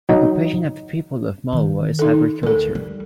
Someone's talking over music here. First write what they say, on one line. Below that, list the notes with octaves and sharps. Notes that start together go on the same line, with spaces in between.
Occupation of the people of Malwa is agriculture.
F#3 D#4
D#3
D#4 A4
D2 A4 A#4
G3